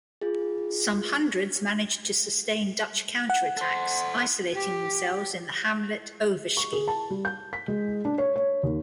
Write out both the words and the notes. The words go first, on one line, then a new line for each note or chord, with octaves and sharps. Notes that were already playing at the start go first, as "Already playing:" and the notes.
Some hundreds managed to sustain Dutch counter-attacks isolating themselves in the hamlet Overschie.
F4 G#4
F#5
A4 C5
G4
C#6
G#4
A5
G3
G6
B6
G#3
D4
C#5
C#5
D#2